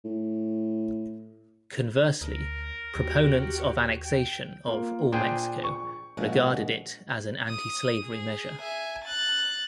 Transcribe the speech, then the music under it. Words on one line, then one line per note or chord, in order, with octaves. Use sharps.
Conversely, proponents of annexation of "All Mexico" regarded it as an anti-slavery measure.
A2
D2 A#4
D#2 F#4 G4
G5
A#3 F4
A#2 D4 G#4 C5 G5
C#6
A#1 G#3 F#4
D#6
G#4
E5 G#5
F#6 A6